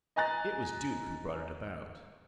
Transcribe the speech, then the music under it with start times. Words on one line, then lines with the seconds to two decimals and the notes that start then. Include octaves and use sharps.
It was Duke who brought it about.
0.16 D#5 G#5 A#5 F#6 A6